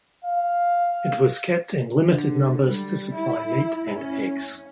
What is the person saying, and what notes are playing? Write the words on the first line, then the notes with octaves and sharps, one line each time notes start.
It was kept in limited numbers to supply meat and eggs.
F5
D3
G3
E4
C#4